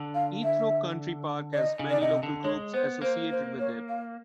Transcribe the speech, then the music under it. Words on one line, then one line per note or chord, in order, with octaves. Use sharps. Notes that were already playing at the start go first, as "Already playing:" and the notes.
Etherow Country Park has many local groups associated with it.
Already playing: D3
F5
E5
D5
D#5
C#3
D5
C3 D#5
D3
G#3 C#5
B3 C5
A#3 C5
C5
C#5
F5